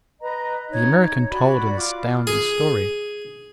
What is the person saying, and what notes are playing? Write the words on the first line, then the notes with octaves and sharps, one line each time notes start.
The American told an astounding story.
B4 D#5 A#5
D#4 C#5
F#4 D5 B5
F4 D6
G#4